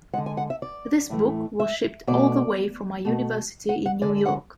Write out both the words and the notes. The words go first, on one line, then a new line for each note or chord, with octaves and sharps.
This book was shipped all the way from my university in New York.
D3 G#3 F#5
G#5
F#5
E5
D5
A2 E3 A3
E5
B2 A3 D5
B2 A3
F#5
F#5
D3 G#3 D5
F#5